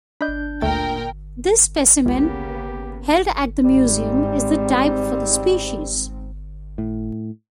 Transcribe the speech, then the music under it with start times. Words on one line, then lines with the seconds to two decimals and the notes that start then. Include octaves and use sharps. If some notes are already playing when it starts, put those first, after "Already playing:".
This specimen, held at the museum, is the type for the species.
0.21 D4 D#5 B5 G6
0.61 D2 A#2 A3 A#4 G5 A6
2.06 C#2 C#3 A#3 B3 G4
3.64 G#2 G3 C4
6.78 A2